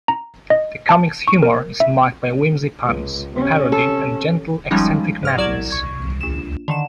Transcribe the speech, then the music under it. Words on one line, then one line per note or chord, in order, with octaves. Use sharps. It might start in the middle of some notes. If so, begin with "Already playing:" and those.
The comic's humor is marked by whimsy, puns, parody, and a gentle, eccentric madness.
A#5
D#5
A5
C#6
A#4
E5
C#2
C3 C#4
A4
F3 G3 G#3 C#4 D#4
G#2 F6 A#6
C2 F#3 D5 G#6 E7
C#6 G#6
A#1 E7
D3 D#3 E7